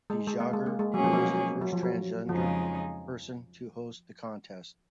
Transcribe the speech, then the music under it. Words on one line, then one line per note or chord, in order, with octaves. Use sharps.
De Jager was the first transgender person to host the contest.
G#3
G#3
A#3
G#3
A#3
G#3
B2 F#3 A#3 C#4 G#4
F3
F#3
F#3
F3
F#3
F2 C#3 F3 G#3 D#4 G#4